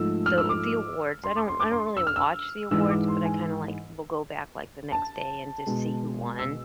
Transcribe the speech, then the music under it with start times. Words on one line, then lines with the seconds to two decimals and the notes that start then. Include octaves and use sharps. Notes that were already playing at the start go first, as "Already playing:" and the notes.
the the awards. I don't I don't really watch the awards, but I kinda, like, will go back like the next day and just see who won,
Already playing: G#2 F3 A3 E6
0.26 F6
0.38 E6
0.49 D6
1.24 C6
1.36 D6
1.48 C6
1.60 D6
1.72 C6
1.97 E6
2.07 F6
2.16 E6
2.71 G#2 E3 G#3 E6
2.81 E6
2.90 D6
3.08 C6
3.25 G#5
4.92 A5
5.66 B2 G#3
6.39 E6